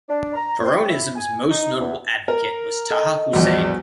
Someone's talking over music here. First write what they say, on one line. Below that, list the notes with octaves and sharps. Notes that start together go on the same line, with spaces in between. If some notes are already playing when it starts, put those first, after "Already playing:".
Pharaonism's most notable advocate was Taha Hussein.
D4
A#5
C4
E4
G#5
D#4
E2
A#4
A4 D#5
A#1 E2 F3 G3 F#4